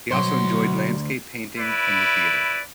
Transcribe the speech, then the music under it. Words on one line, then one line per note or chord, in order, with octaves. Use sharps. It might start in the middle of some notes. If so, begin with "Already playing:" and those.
He also enjoyed landscape painting and the theatre.
D2 B2 F#3 C5 C6
E4 B4 D5